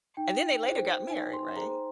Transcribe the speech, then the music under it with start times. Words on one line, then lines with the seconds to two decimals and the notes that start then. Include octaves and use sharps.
And then they later got married, right?
0.17 D#4 G5
0.64 G#4 C5
1.10 D#4 G#5
1.33 C6
1.56 G#4 C5 A#5